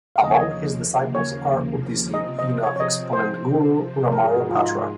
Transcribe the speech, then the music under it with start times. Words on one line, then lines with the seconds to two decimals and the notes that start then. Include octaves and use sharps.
Among his disciples are Odissi Veena exponent Guru Ramarao Patra.
0.15 D#2 C#3 F3 A#3 F5
0.24 D#5
0.31 C#5
0.40 D#5
1.15 C#5
2.14 C3 F3 C4 D#5
2.39 D#5
2.63 C#5
2.76 C#5
2.80 D#5
3.13 C5
4.12 G#2 F3 G#3 A#4
4.24 G#4
4.36 F#4
4.49 F4
4.56 D#4
4.62 F4